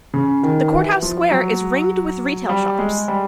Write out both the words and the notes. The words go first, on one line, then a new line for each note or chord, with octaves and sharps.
The Courthouse Square is ringed with retail shops.
C#3
D#3
E3
F3
F#3
G3
G#3
G3